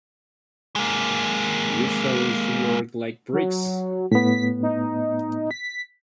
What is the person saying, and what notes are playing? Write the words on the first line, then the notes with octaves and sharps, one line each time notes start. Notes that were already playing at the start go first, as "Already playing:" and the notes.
You fellows worked like bricks.
G#3 A#3
F#3
A2 B3 B6
D#4
B6